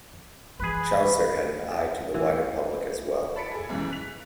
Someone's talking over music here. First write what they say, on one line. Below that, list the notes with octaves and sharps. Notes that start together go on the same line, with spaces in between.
Chaucer had an eye to the wider public as well.
E3 A3 G#4 B4 B5
E3
A5 B5 A6 B6 C#7 D7
G#4 A4
B1 E2 G#2 C#3 E3
F#6 B6 F7